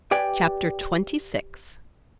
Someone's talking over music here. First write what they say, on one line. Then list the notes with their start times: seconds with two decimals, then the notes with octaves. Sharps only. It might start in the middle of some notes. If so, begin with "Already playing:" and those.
Chapter XXVI.
0.11 G4 B4 D5 G5 G#5